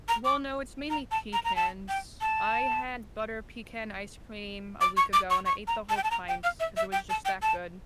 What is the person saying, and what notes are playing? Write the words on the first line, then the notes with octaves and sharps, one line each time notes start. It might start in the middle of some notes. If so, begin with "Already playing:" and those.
Well, no, it's mainly pecans. I had butter pecan ice cream a week ago and I ate the whole pint 'cause it was just that good.
A#5
D6
A#5
A5
A#5
A#5
A5
G5
A5
D6
C#6
D6
C#6
C#6
A#5
A5
G5
A5
A#5
G5
F5
E5
E5
G5
A5
G5
A5